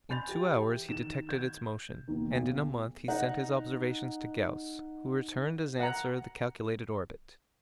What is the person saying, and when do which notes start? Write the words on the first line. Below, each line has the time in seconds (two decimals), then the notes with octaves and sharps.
In two hours he detected its motion, and in a month he sent his observations to Gauss, who returned as answer the calculated orbit.
0.09 G#5 B5 C6 G6 A6 F7
0.29 E3 G4
0.89 D#3 E7
1.29 G6 G#6
2.08 D#2 B2 D#3
2.31 B1
3.08 D#4 F#5
5.80 F#5 A#5